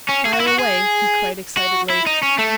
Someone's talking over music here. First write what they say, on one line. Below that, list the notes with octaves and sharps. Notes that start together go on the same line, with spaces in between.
"Fire away!" he cried excitedly.
C#4
G#4
F#4
E4
F#4
G#4
F#4
E4
D#4
C#4
A3